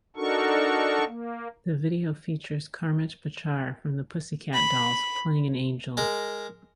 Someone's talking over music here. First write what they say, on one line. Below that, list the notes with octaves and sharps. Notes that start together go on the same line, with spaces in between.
The video features Carmit Bachar from the Pussycat Dolls, playing an angel.
D4 D#4 F#4 A4 A#4 C#6
A#3
B5
G#3 A#4